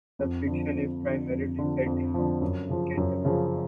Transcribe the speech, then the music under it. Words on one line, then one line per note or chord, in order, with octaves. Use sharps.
The fiction is primarily set in Cantabria.
F2
D3 F3
F2
D3 F3
F2
D3 F3
F2
D3 F3
F#2
C#3 F3
F#2
C#3 F3